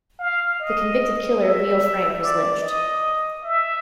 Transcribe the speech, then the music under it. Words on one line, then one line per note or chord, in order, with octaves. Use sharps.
The convicted killer, Leo Frank, was lynched.
F5
D#5
E5
D5
D#5
E5